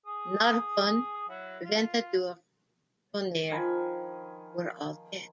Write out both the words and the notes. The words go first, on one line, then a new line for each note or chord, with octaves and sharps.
Narbonne, Ventadour, Tonnerre were all dead.
G#4 D#6
F#3 E4 F#4
F4
D#3 F3 G#5 B5